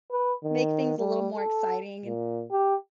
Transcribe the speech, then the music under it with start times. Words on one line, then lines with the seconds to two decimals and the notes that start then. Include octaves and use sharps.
make things a little more exciting and
0.11 B4
0.44 D#3
0.99 G3
1.35 A4
2.05 A#2
2.51 G4